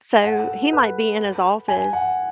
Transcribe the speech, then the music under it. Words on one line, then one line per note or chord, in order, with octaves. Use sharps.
so he might be in his office
F#5
A4
B4
G#5
F#5